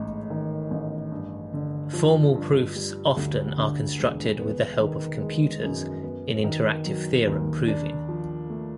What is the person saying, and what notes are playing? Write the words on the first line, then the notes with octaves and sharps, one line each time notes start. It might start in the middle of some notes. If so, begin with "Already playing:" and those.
Formal proofs often are constructed with the help of computers in interactive theorem proving.
Already playing: A1 G#2
D#3
A1
G2
D3
F3
G2
G3
D2
D3
E1
B3
D#3
G#3
F#2
B3
D#3
F#3
D#2
D4
F3
A3